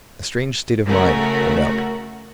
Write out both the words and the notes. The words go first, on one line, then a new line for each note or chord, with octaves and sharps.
A strange state of mind, no doubt.
C#3 A3 F#4 A#4